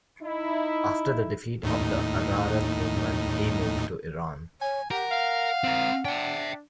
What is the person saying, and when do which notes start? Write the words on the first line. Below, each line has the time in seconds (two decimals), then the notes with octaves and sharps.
After the defeat of the Ararat movement, he moved to Iran.
0.23 D#4 E4
1.63 D#2 A2 D#4
4.61 C#5 G#5
4.91 G4 A#4 F#5
5.11 F5
5.64 C4 A#4
6.05 D4 E5 G5